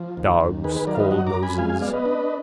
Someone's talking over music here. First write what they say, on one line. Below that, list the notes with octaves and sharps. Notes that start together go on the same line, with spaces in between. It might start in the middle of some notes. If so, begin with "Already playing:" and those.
Dogs' cold noses.
Already playing: F3
D#2
D#2
D#3 G#4 B4
G#4 B4
F#3 A#4 D5
F5
B4 D#5
F#2 D#5 F#5
A#5 D6
F#2
G#5 B5
G#3 F5 G#5
F5 G#5
B3 D5 F5
B4 D#5
D4